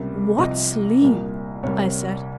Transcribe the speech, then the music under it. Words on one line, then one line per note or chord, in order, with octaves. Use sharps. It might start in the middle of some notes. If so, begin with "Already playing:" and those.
"What sleep!" I said.
Already playing: C#2 C3 G3 A#3
C2 C3 F3 D#5
C2 A#2 G3 A#3
C2 C3 G3 A#3 C#5